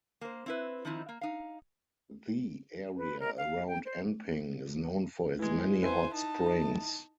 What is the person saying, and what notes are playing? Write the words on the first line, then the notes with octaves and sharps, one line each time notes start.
The area around Enping is known for its many hot springs.
A#3 C5
C4 E4 B4
D#3 F3 C4 D#4 E4
A#3
D#4 F5
B4
A#4
F5
G5
C5
E3 G#3
E4 B4 C5 G#5
D#4 A5